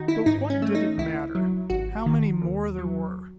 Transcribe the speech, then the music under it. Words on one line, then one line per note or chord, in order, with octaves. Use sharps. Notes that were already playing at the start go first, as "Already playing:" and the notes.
But what did it matter how many more there were!
Already playing: D#3 D#4 F#4
E4
G#2 D#4
C#4
A3
D#4
C#2 E4
F#3
G#1 F#4
D#3
D#2
F#3